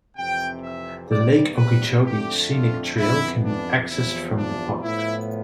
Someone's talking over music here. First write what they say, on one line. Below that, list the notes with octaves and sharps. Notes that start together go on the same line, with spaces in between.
The Lake Okeechobee Scenic Trail can be accessed from the park.
F2 C3 E3 G5
E5
E2 C3 G3 B3 D5
B4
F2 D3 A3 C4 G4
F4
F2 E3 B3 E4
D4
E2 C3 F3 E4
D4
A2 F3 B3 E4